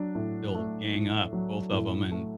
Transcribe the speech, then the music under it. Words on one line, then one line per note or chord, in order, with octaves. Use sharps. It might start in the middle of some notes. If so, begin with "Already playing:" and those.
they'll gang up, both of 'em, and
Already playing: F#3 D4
A2
A3
A2
F#3
A2
A3